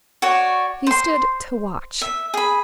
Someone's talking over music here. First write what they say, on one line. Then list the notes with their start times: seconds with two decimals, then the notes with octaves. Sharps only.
He stood to watch.
0.22 F#4 C#5 D5
0.87 C5 C6
2.01 E5
2.34 G#4 B5